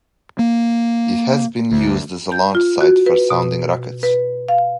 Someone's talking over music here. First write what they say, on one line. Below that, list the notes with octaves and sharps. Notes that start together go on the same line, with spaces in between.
It has been used as a launch site for sounding rockets.
A#3
D2
G6
F4
F#4
B4
B2
B4
F5